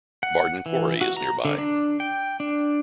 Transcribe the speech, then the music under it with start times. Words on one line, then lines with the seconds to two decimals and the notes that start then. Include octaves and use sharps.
Bardon Quarry is nearby.
0.23 F#5
0.66 E3
1.01 F#4
1.17 A#5
1.45 D3
1.58 D4
2.00 G5
2.40 D4